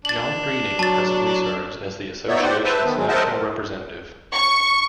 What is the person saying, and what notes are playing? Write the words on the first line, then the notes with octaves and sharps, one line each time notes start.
John Greening presently serves as the association's National Representative.
D4 A6 F#7
F#3 A5 A6
B3 D#4 C#5 D5 E5
G4 C5 D5 F#5
B4 C5 E5 A5
D#3 B3
F#3 G#3
A#4 C5 D#5 E5 F#5 A5
C#6